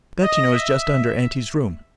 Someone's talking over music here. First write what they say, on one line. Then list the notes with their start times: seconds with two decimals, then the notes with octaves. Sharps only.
That you know is just under auntie's room.
0.22 D#5
0.52 E5